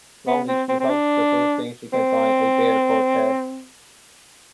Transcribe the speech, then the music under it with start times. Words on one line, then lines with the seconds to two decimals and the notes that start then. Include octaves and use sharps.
Lonely, she hugs the first thing she can find, a bear called Ted.
0.27 B3
0.48 C4
0.69 C4
0.80 C4
0.89 D4
1.93 C4